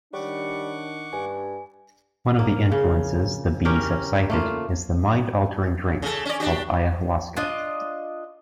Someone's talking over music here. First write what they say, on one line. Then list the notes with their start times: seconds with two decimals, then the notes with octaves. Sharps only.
One of the influences the Bees have cited is the mind-altering drink called ayahuasca.
0.13 D#3 G3 D4 C#5 F#5 C#6 D6
1.13 G2 G#5
2.39 A#3
2.72 C#3
3.65 C#4 G4 A#4
4.30 A3 A#3 F4
6.02 C#3 A4
6.25 C#4 D5
6.40 D4 F#4 G4
7.36 D4 F4 D#5